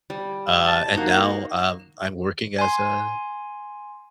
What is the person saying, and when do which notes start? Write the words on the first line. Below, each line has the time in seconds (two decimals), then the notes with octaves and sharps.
Uh, and now, um, I'm working as a
0.10 G3
0.67 A5
0.96 A#3 D#4 F#4
2.59 G#5 C6